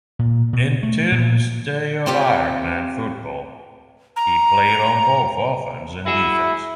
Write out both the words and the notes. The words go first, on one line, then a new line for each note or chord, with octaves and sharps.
In Tittle's day of iron man football, he played on both offense and defense.
A#2
B2
A3
A#2
C4 F4 G4 C5
A#5
E4 F#4 G#4 E5